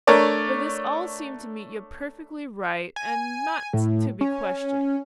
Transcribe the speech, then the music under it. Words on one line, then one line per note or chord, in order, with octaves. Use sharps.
But this all seemed to Mitya perfectly right and not to be questioned.
A3 D4 A#4 C#5 D5
G#5
A2
C#4